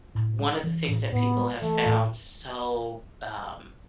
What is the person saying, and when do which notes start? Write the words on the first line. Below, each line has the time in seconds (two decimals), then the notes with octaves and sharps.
One of the things that people have found so, um,
0.15 A2
0.39 G#3
0.64 E3
0.88 A2
1.12 A2 B3
1.37 G#3
1.61 E3 A3
1.86 A2